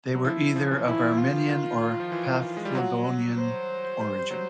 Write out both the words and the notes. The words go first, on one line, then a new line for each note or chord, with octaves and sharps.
They were either of Armenian or Paphlagonian origin.
F#3
F3 E4
F3
E3
D#3 E4
E3
D#3
F4
D#3
F3
E3
G#3
G3
F#3 F#4
C5
G3
F#3